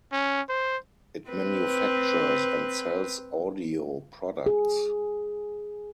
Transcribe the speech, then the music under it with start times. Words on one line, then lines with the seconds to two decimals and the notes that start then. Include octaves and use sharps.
It manufactures and sells audio products.
0.12 C#4
0.49 C5
1.30 C4 B4
4.46 G#4